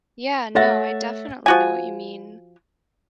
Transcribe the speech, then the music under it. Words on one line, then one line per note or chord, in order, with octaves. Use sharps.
yeah, no, I definitely know what you mean,
A3 C#5 E5 F#5 A6 A#6
F3 F#4 G#5